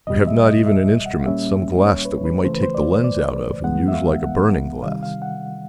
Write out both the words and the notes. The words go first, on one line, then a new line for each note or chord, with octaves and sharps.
"We have not even an instrument, some glass that we might take the lens out of, and use like a burning glass."
C#2 B2 G3 D#5
E5
D#5
E5
F#5
F5
A#2 G3 A#3 C#4 E5
C#5
B4
B4
D#2 C#3 E3 A3 C5
B4
C5
D5
D5
G2 E3 G#3 B3 F#5
E5
F5
F#5
C3 D#3 G3 F5
F5
F#5